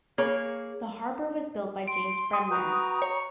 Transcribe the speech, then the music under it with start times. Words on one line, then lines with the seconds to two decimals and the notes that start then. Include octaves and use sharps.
The harbour was built by James Bremner.
0.18 A#3 G#4 C#5
1.88 C6 D7
2.33 D#6
2.51 F#4 B4 G5 A#5
3.02 C#5